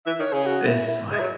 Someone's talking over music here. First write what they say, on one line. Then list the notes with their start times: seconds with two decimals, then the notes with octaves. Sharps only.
it's like
0.06 E3 E5
0.19 D#3 C#5
0.33 C#3 G#4
0.46 F#4
0.66 E4
0.88 E4
1.12 G#3 E4
1.20 F#3